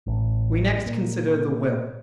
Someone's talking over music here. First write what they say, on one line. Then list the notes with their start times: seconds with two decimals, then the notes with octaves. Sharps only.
We next consider the will.
0.07 A1
0.86 A#2